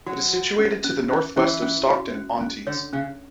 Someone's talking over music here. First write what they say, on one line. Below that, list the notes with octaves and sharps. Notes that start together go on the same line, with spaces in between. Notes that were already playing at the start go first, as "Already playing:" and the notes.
It is situated to the north-west of Stockton-on-Tees.
F#3 F#4
F#4
C#4
C#4
C#4
E3 C#4
C#4
F#4
C#4
C#4
D3 C#5
C#3 C#4